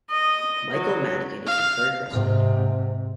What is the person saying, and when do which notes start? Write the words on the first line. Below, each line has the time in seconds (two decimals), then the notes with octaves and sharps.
Michael Madigan is a Current resident.
0.11 D#5
0.72 F#3
1.46 F5
2.10 G#2 C3